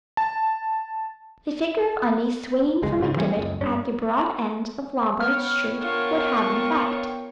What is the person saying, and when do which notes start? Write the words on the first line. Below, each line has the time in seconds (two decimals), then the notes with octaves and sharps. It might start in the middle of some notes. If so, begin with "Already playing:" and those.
The figure of Undy swinging from a gibbet at the broad end of Lombard Street would have an effect.
0.17 A5
2.82 G1 C#2 G#3
2.98 C#2 G#2 C#3
3.16 E3 G3 A3 C#4
3.37 F#1 C#2
3.61 G2 C#4 D4
5.21 B3 C#5 G5 F6
5.82 D4 F4 A#4 C#6